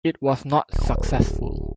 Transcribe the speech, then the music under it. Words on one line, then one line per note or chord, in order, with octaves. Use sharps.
It was not successful.
D1